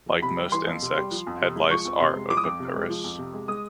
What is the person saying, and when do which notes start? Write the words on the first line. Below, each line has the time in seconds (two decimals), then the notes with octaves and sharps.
Like most insects, head lice are oviparous.
0.09 F2
0.22 C3 B5
0.38 G3
0.52 E3 C6
0.67 F2
0.82 C3
0.97 G3
1.11 F3
1.27 F2
1.41 C3
1.55 G#3
1.71 F3 C#6
1.85 F2
2.00 C3 C6
2.15 G#3
2.30 F3 D6
2.37 D#6
2.44 F2 D6
2.60 C3
2.74 G#3
2.89 F3
3.04 F2
3.18 C3
3.33 G#3
3.48 G#3 D#6